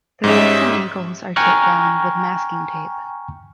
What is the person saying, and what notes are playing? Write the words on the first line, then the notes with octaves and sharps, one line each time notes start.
The wrists and ankles are taped down with masking tape.
G#2 G3 G#3 C#4 E5
G5 G#5 A#5 C#6 F6 F#6